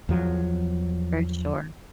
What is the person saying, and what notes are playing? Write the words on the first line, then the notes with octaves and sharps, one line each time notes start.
For sure.
E2 F3 F#3